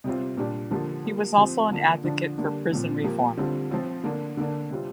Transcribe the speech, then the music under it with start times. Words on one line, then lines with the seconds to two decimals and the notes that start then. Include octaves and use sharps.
He was also an advocate for prison reform.
0.04 C3 G3 C4 F4
0.37 A#2 G3 D4 G4
0.71 D3 F3 A#3 G4
1.05 G3 A#3 F4
1.38 F3 C4 G4
1.71 D3 A#3 D4 F4
2.04 D3 F3 D4 F4
2.38 D3 G3 A#3 D4
2.71 A#2 F3 C4
3.04 F3 A#3 G4
3.37 D3 G3 C4 F4
3.71 F3 C4 F4
4.04 D3 A#3 D4
4.37 D3 A#3 D4
4.70 C3 G3 C4 F4